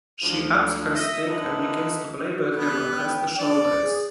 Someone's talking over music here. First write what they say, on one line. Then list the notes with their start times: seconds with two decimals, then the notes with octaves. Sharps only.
She ups her stick and begins to belabor him across the shoulders.
0.23 D2 F3
0.95 D#5 E5
1.28 D3 E3 A#3 D#4 E4 B4
2.31 F#4
2.56 B3 D4
2.70 G4
2.96 G5
3.39 D4 D5
3.82 G#4